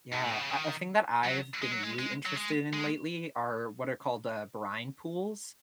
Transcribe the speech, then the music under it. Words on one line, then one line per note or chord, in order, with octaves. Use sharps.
Yeah, a a thing that I've been really interested in lately are what are called, uh, brine pools.
G#2
A2
B2
C#3
D#3
F#3
G#3
F#3
G#3
G#3
F#3
G#3
G#3